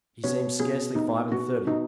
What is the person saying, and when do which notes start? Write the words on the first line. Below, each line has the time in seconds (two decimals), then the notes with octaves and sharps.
He seemed scarcely five and thirty.
0.24 B2 C#5
0.60 B2 G#4
0.95 B2 D#4
1.31 B2 F#4
1.67 B2 D#4